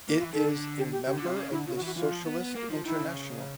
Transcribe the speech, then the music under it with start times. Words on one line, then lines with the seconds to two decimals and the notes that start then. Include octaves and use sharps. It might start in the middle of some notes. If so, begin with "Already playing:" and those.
It is a member of the Socialist International.
0.09 A#3
0.18 E3 F4
0.33 D#3 A4
0.48 D3
0.78 G4
0.92 G4
1.07 C#3 G4
1.18 D3 F4
1.27 C3
1.36 C#3
1.51 D3 E4
1.66 C#3 F4
1.76 F#4
1.81 E3
1.86 F#4
1.96 E3 F4
2.11 F3
2.26 B3
2.40 B3
2.55 A#3
2.70 F3 D#4
2.85 D#3 E4
3.00 C#3